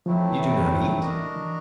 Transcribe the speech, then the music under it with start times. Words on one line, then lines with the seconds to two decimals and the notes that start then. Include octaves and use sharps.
You do not eat?
0.06 F3 F#3 A3 C4 E4
0.29 E3
0.99 D4 F#4 A#4 D#5
1.36 E3